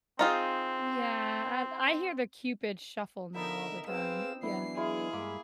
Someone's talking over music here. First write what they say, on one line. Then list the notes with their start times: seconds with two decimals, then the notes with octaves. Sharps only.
Yeah, I I hear the Cupid shuffle now all the time, yeah.
0.19 C4 D#4 F4 G#4
3.35 D3 B3 D#4 A#4 E5
3.87 C4 G#4 B4 C5 F5 E6
4.43 E3 F#3 B3 D4 E4 C7
4.77 G#3 E4 G#4 F5
5.13 G2 G#3 A#3 B5